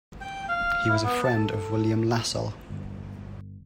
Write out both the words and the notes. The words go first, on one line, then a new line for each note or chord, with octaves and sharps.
He was a friend of William Lassell.
G5
F5
E4
B3
A5
A4
G1